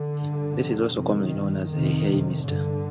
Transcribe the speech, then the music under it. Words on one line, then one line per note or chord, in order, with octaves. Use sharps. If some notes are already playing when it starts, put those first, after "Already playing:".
This is also commonly known as a "Hey Mister".
Already playing: D3
G2
F2 C3
F2 C3 D#3
G2
F2 C3 D#3
F2 C3
G2 D3